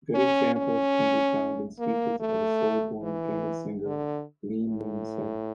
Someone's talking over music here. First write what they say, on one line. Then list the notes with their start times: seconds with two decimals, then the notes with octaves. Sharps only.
Good examples can be found in speeches of a Seoul-born famous singer, Lee Mun-se.
0.14 C#4
0.56 C#4
1.79 A#3
2.20 A3
3.03 E3
3.86 D3
4.68 A2